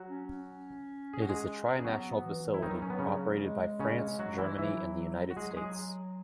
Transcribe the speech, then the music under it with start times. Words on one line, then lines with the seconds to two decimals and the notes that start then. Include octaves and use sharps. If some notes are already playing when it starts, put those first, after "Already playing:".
It is a tri-national facility operated by France, Germany and the United States.
Already playing: F#3 F#4
0.08 C#4
0.27 C#4
1.14 G#4
1.22 F#4
1.29 G#3 G#4
1.78 C#4 G#4
1.84 F#3 B3 F#4
2.24 E3
2.54 E4
2.63 D#3 F#3 D#4
2.82 C#4
2.90 B3
2.99 C#3 C#4
3.41 G#3
3.80 C#3 C#4
4.19 F#3 F#4
4.38 E3 E4
4.58 E3 F#3 E4
5.31 F#4
5.36 F#3 G#3 G#4
5.57 G#3 G#4